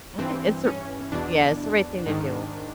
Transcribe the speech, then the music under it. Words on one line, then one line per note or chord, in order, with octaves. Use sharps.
I think it's a r m Yeah, it's the right thing to do.
G2 E3 C4
C#4
E2 B2 D4
G#2 D#3